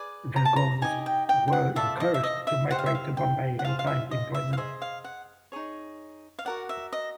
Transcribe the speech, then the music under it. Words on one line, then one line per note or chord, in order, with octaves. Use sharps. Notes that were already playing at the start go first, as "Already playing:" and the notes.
The Goans were encouraged to migrate to Bombay and find employment.
Already playing: G#4 B4 D5
A#5
A5
A#5
D#4 G4 C5 D#5 G#5
G5
G5
G5
F#5
F4 A4 D5 E5
D#5
E5
D#5
E5
G4 C5 D#5 F#5
F5
E5
F5
G5
F#5
F4 G#4 C5 F5
F5
E5
D#5
E5
F5
G#4 C5 D#5 E5
F5
F#5
D#4 G#4 C#5
F5
F#4 A#4 D5 F#5
E5
D#5